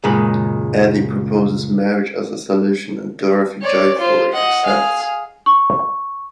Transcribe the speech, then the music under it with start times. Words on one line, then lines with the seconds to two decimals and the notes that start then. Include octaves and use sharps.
Eddie proposes marriage as a solution and Dorothy joyfully accepts.
0.04 C#2 F#2 A#2 D#3 G#3 B5
3.62 C#5 D5
3.98 F4 C5
4.32 D#5 F#5
4.65 G#4 F5
5.46 C#6